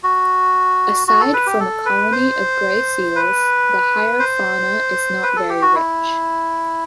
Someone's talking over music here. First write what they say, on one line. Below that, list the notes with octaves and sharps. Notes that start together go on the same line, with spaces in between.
Aside from a colony of grey seals, the higher fauna is not very rich.
F#4
F#4
A4
B4
G4
A4
B4
C5
B4
C5
B4
A4
G4
F#4
E4